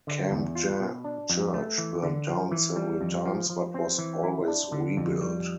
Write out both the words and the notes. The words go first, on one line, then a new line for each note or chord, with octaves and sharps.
Kambja Church burned down several times, but was always rebuilt.
D3
E2
F4
B2
D4
F2
A3
E3
D3
F3
E3
G3
F2
F3
F3
C4
E3
E4
D4
D3
F2
G3